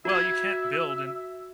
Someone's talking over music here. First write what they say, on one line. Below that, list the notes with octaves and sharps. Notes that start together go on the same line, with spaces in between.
Well, you can't build in
F#4 E5 G#6